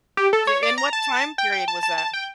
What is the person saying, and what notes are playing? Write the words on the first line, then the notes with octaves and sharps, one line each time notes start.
T in what time period was that?
G4
A4
C#5
D5
A#5
A5
G5
G5
A5
A5
A5
G5